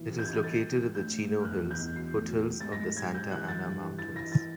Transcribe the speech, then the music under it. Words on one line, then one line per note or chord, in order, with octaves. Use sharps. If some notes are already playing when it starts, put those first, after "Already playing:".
It is located in the Chino Hills, foothills of the Santa Ana Mountains.
Already playing: A#2 E3
C3
G6
E3 G#6
G6
G3 A6
E3
G3
A2 G6
A2
G3
F6
E2 F#6
E2
G6
E2
F#3 C7
A2
F#3
G3
G#2 A6
A#6
G#2
C3 G#6
C3 G6
E3 F#6
G2 A6
G2
E3
E3 A6
E3 A#6
E3 A6